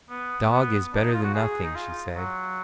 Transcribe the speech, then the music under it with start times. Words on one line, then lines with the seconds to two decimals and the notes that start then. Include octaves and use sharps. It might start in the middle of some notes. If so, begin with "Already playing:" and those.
"A dog is better than nothing," she said.
0.10 B3
0.51 B3
0.93 D4
1.03 D#4
1.14 F4
1.23 F#4
1.34 G#4
1.63 D#4
1.76 F4
2.16 F#3